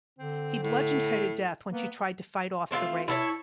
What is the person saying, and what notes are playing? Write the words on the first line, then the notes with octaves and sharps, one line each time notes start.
He bludgeoned her to death when she tried to fight off the rape.
D3 C4
A2
A#3 B3
A3 C4 E4 F4
E4 A4 C#5